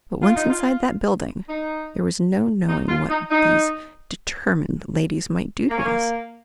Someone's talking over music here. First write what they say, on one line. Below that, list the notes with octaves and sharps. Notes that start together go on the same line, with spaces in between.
But once inside that building, there was no knowing what these determined ladies might do to us.
F4
D#4
F4
D#4
D#4
F4
D#4
D#4
A#3
C#4
A#3